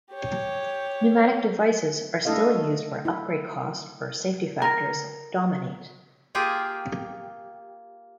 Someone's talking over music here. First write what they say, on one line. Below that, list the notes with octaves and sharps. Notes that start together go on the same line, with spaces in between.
Pneumatic devices are still used where upgrade cost, or safety factors dominate.
G4 C#5
A3 D4 E4 A4 D#5 F5
E4
A#4
A#3 F4 G4 G#4